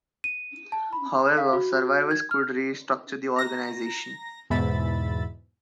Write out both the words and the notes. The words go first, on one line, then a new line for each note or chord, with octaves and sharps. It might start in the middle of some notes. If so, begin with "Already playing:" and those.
However, survivors could restructure the organization.
D#7
A5
B5
F5
F#4
G#6
F6
A#5 A#6
E2 G#2 B2 E5 B5 A6